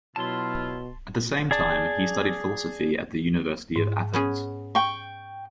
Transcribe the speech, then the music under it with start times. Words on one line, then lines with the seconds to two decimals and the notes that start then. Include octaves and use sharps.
At the same time, he studied philosophy at the University of Athens.
0.16 B2 F#3 E4 F4 A5 C6
1.51 G#4 D5 A5
3.76 G#2
4.14 B3 C#4 G#4
4.75 G5 C#6